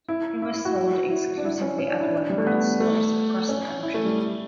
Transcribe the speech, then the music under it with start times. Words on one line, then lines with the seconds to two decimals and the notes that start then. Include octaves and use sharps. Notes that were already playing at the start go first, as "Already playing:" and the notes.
It was sold exclusively at Walmart stores across the country.
0.09 E4
0.42 E4
0.54 E4
0.65 F#4
0.76 F#4
1.10 E4
1.37 D4
1.45 E4
1.61 C#4
1.78 C#4
1.90 D4
2.01 E4
2.13 D4
2.30 G3
2.38 A3
2.47 B3
2.80 A3
3.49 C#4
3.83 E4
3.94 A3
4.05 G3